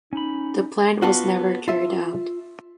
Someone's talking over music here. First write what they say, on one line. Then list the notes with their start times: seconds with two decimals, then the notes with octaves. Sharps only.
The plan was never carried out.
0.13 C#4 D#4 B5
1.02 B3 D4 F4 F#4
1.68 F4 E5